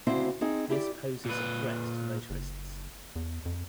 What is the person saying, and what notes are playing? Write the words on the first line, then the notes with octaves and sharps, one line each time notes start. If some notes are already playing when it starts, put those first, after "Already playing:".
This poses a threat to motorists.
D2 C#3 C4 E4 F#4 C5
C4 D#4 G#4
E4 G4 D5
A#2 B4
F#1
E2
F2